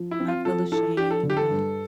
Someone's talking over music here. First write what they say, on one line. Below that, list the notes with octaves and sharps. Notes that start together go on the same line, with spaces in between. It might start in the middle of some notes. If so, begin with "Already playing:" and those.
not feel ashamed and
Already playing: F3
E4
C4
F4
F3 A4
E4 A4
D4 G4
A4
D3
G4
A4
G2